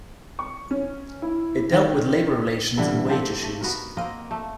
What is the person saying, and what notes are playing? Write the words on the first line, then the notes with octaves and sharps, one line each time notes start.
It dealt with labour relations and wage issues.
C#6
C#4
E4
D#3
A2 D3 E3 G3
A#3 C4 G4 A4
A3
B3 F#4 A#4
A#3 C4 A#4 D#5
A3